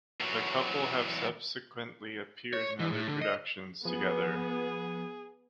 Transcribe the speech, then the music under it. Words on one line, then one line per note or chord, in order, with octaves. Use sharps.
The couple have subsequently appeared in other productions together.
E2 F#3
C#5
E3
A2
D3
D#5
F3 B3 G#4